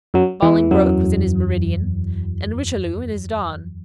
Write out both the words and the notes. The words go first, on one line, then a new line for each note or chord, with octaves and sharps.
Bolingbroke was in his meridian, and Richelieu in his dawn.
F#2 F#3
E2 E3
F#2 F#3